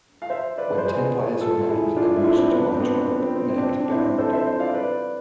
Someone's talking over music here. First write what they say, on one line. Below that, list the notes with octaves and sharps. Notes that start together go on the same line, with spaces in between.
When ten players remained, they merged into one tribe, named Barramundi.
F5
C5 E5
B4 D5
C5
G#4 B4
F4 A4
E4 G#4
D4 F4
E4
D4 F4
C4 E4
B3 D4
C4
B3 D4
B3
C4
C4
C4
D4
C4
D4
C4 E4
A4 C5
C5 E5
C5 E5
D5 F5
B4 D5